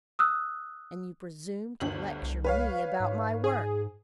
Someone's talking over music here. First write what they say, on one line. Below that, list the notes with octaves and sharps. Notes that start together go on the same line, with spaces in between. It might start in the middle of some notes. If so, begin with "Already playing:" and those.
And you presume to lecture me about my work!
D#6 E6 F#6
G1 D2 F#7
C2
B4 C#5 F5
G#2
G#4